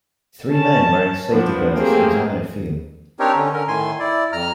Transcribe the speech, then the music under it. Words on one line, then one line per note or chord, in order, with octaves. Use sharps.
Three men wearing safety vests examine a field.
C#4 A5
F3 B3 D4
A3 A#3 C4 G4 G#4
C4 D4 D#4 G4 A#4 C#5
D3 C#4
D3 C#4 A#4
A2 D#3 G#5 C6
E4 D5
F2 A#5 F6